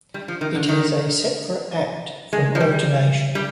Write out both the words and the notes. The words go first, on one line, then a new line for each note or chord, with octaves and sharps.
It is a separate act from ordination.
G3
F3
D#3
D3
D#3
G#3
F3
G3
G3